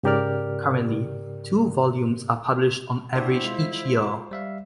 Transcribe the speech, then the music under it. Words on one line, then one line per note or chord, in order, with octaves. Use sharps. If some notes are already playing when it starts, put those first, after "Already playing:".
Currently, two volumes are published on average each year.
G#2 C#3 G4 A#4 D5 F6
D4 E4 F#4 G4 C5
G#3 F4
G3 E5 F5